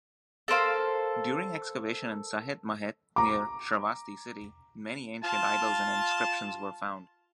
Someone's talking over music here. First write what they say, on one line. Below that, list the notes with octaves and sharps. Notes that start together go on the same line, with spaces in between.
During excavation in 'Sahet-Mahet' near Shravasti City, many ancient idols and inscriptions were found.
A4 A#4 C5 F5
A#5 D6
F4 A5